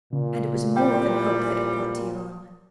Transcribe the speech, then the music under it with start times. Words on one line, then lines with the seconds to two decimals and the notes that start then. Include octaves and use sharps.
And it was more than hope that it brought to Yvonne.
0.13 A#2 C#3
0.77 E3 F3 G3 G5